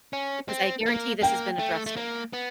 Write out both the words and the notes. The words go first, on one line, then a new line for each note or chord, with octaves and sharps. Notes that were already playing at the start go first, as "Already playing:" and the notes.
Because I guarantee this has been addressed in there.
C#4
C4
A#3
A#3 G5
A3
A3
A#3
B3